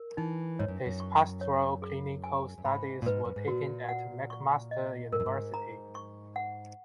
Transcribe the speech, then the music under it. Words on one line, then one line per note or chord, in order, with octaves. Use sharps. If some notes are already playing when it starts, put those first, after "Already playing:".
His pastoral clinical studies were taken at McMaster University.
Already playing: A#4
E3 D#4
G#2 C#5
F#2
F#2
C#6
C#5
G#4
G#5
F#2
G#2 B5
A#2
G#2 B4
F#2
G#2
A#2 F#4
F#5
C#6
D#5
G#2 A#4
F#2
G#2
A#5
C#6
F#5